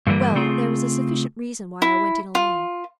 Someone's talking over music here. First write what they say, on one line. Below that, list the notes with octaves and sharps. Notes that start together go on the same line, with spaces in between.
"Well, there was a sufficient reason why I went in alone."
G2 D3 E3 G3 A#3
C#3 A3 C4 F4 G#4
E4
F4